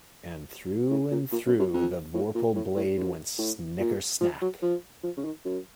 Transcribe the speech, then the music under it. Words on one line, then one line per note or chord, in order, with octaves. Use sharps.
And through and through the vorpal blade went snicker-snack!
A2
A#2
A#2
F#2
F#2
F2
A2
A#2
A2
A2
F#2
A2
A#2
F3
F#3
F3
F3
C#3
D#3
F#2